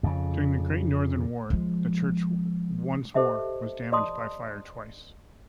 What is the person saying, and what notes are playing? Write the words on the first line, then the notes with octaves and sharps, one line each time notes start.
During the Great Northern War, the church once more was damaged by fire twice.
F2 C#3
F3 G#3
G4 A4 C5 D#5 E5 A5
D5 D#5 A5 C6 D#6